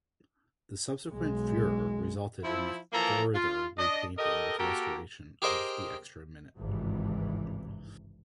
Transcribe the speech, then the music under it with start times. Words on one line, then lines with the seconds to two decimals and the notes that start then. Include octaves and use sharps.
The subsequent furore resulted in a further repainting with restoration of the extra minute.
1.13 B1 G#3
2.43 F3 E4
2.92 E3 F3 A#3 A4 A#5
3.34 F4
3.78 D4 D#5
4.17 G4 A4 A#4 D#5
4.58 A#3 F#4 G4 A4 A#4
5.42 G4 G#4 A#4 C5 D#5 G5
6.58 G#1 C#2 G2 C3 E3